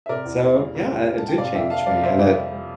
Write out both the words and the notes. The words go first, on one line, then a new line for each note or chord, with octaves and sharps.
so yeah, it did change me, and it
E5
C3 A#4 D5
E2
A#3
G3
C3
E2
A#3
G3 A5
G5
C3 D5 F5
F2 E5 G5
A#3 F5 A5
G3 D5 F5
C3 C5 E5
F2
A#3
G3